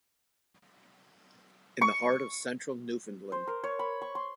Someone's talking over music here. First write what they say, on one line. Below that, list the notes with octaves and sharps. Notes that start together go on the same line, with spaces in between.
In the heart of central Newfoundland.
C#6
C5
A#4
C#5
B5
C#6
C6